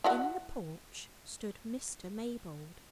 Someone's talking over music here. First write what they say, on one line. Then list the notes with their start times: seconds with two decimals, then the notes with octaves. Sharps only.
In the porch stood Mr. Maybold.
0.04 E4 F#4 F#5